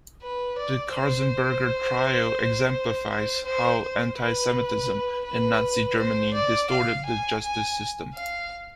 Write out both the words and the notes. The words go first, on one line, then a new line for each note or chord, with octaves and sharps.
The Katzenberger trial exemplifies how anti-Semitism in Nazi Germany distorted the justice system.
B4
D5
C5
C5
C5
C5
B4
B4
C5
D5
F5
G#5
G#5
F5